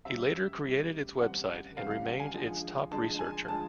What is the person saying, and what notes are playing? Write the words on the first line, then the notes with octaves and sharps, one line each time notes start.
He later created its website and remained its top researcher.
C#3 E3 G3 C4 E5
C#3 E3 G3 C4
C#3 E3 G3 C4 F#5
C#3 E3 G3 C4 F5
F5
F#5
G#5
D3 F3 G#3
D3 F3 G#3 A5
G#5
D3 F3 G#3 A5